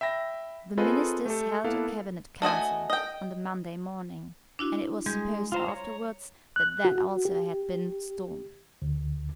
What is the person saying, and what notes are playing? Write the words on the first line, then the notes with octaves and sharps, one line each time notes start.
The Ministers held a Cabinet Council on the Monday morning, and it was supposed afterwards that that also had been stormy.
E5 G5 B5 A#6
C4 F4 G#4 A4 B4 D#5
A3 G4 A4
A#3 B3 E4 A4 B4 F5
A3 F#4 D#5 G#5
D#5 G5
D4 E4 F#4
G3 G#3 G6 G#6
F4 C5 A#5
C#5 A#5
F#6
F#4
G4
D2